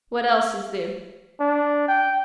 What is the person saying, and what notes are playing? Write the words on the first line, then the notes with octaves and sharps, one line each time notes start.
"What else is there?"
D4
G5